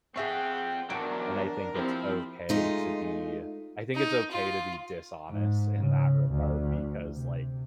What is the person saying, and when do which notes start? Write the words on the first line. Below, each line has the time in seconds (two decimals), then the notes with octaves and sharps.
and I think it's okay to be I think it's okay to be dishonest in that regard because, like,
0.16 C4 F4 G#4 E5 F#5 G5 C#6
0.90 E2 F#3 D4 A#4 F#5 D7
1.76 F3 C4 E4 G4 B5
2.49 G#3 A3 D#4 F4
3.95 D#4
4.31 F4
5.29 G#2
5.77 C#3
6.31 D2
7.13 C3